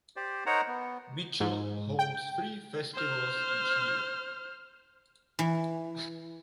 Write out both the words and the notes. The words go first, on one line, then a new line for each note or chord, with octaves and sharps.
Mitchell holds three festivals each year.
G4 C5 D5
D#4 A#4 C5 C#5 F#5 A#5
B3
G#2
G5
C5 F6
E3